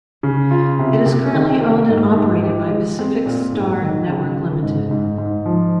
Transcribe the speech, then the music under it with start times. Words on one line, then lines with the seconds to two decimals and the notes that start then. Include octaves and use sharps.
It is currently owned and operated by Pacific Star Network Limited.
0.23 C#3
0.51 F4
0.79 C3
1.06 C3
1.34 D#3
1.60 A#3
1.89 G#2
2.16 G#2
2.44 G4
2.71 G#3
2.99 C4
3.26 A#2
3.53 G#2
3.81 D#3
4.08 C#3
4.36 C#3
4.63 G#2
4.91 G#2
5.18 G#2
5.46 F3